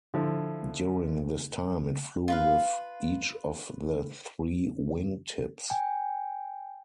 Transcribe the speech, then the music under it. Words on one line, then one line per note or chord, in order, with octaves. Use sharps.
During this time it flew with each of the three wing tips.
D3 F3 E4
F4 B4 F5
G5 G#5